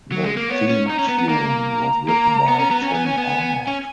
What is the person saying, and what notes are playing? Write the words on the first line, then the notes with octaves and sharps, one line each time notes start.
The theme tune was written by Tim Arnold.
F#3
G#3
A#3
B3 C#5
C#4
D#4 A#5
C#4
B3
B3
A#3
A#5
A#3 A#5
B3
C#4
B3
C#4
G#5
B3
C#4
B3
C#4